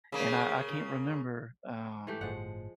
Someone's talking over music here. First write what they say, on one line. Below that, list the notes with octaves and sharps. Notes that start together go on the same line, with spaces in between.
And I I can't remember, um
C#3 A#3
E3 A3 G4
G1 A2 F3 G#3 F#5